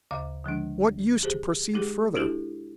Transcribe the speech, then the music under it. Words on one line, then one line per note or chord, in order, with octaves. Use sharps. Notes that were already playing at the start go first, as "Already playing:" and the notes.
What use to proceed further?
D2 C#3 F5 A#5
D3 F3 G#3 D4
G4 G#4 C5
G#3 D#4 G4 G#4
D4 E4 F#4 G4 A4